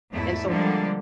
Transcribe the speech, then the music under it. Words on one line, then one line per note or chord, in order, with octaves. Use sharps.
And, so
E2 G#2 A3 E4
D3 F3 G3 G#3 A#3